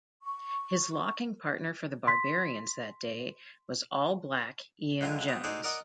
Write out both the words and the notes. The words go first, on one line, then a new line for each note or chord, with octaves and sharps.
His locking partner for the Barbarians that day was All Black Ian Jones.
C#6
C6 B6
C#2 D3 F#3 F4 G#5
B3 C4
D#4 F#4 G#4 A4 C5 D5
A#4 D5 D#5 F#5 A#5